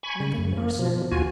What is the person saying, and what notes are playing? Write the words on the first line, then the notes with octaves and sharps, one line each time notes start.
Nothing more certain.
G#5 B5 C#6
C#3
F#2
A#3
B2 F3
D#2 F4 F#4 G#5